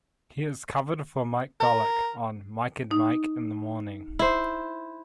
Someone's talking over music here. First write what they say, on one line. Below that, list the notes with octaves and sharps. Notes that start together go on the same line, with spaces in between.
He has covered for Mike Golic on "Mike and Mike in the Morning".
A#4
D#4
E4 C5